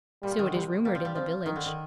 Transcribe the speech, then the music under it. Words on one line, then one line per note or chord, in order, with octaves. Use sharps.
'So it is rumored in the village.'
A#2 G3
F3
D#3
D3
C3 G3
G3 A#3
F3
G3
F3 C4
D#3 D#4
D3
D#3